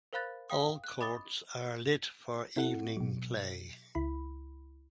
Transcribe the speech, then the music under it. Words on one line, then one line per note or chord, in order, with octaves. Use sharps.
All courts are lit for evening play.
A#4 C5 F5 B5 F#6 A6
F5 G5 D#6
F#6
D#5 B5 D6 D#6 A6 G7
C4 E4 A4 F#5
B2 F#3
C#2 E4 B5